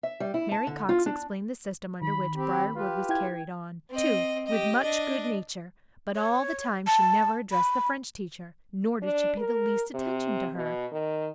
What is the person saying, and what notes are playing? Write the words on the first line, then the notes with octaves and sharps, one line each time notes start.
Mary Cox explained the system under which Briarwood was carried on, too, with much good nature; but all the time she never addressed the French teacher, nor did she pay the least attention to her.
E5
G3
E4
A5
D3
F4
D4
D#3 B5
C4 G4 B5
F4 G4 B4
E4 G5 G#6
C4 D#5
G4 D#5
D4 D#5
C#5
A5
B5
D4
A#4
C3
B2
D#3